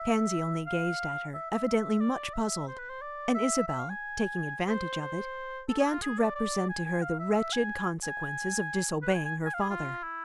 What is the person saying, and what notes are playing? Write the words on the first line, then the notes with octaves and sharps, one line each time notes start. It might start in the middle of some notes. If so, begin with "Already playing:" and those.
Pansy only gazed at her, evidently much puzzled; and Isabel, taking advantage of it, began to represent to her the wretched consequences of disobeying her father.
Already playing: E5
F5
E5
E5
E5
D5
E5
C5
B4
C5
D5
E5
E5
F5
G#5
C5
C5
A4
G#4
E4
F4
G#4
D5
D5
G#5
G#5
F5
E5
E5
G#5
G#5
B4
G#5
G#5
G#5
F5
G#4
F4
E4